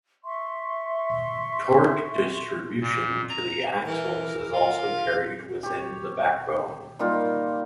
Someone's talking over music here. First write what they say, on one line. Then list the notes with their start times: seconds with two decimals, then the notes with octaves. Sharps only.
Torque distribution to the axles is also carried within the backbone.
0.24 E5 C6 C#6
2.81 A#2
3.29 A#5
3.85 E3 A#4
4.53 F4
5.63 G4 C#5
6.99 G3 A#3 D#4 F4